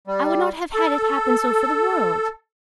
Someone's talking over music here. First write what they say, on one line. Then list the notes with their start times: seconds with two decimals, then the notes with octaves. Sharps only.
I would not have had it happen so for the world.
0.08 G3
0.74 A4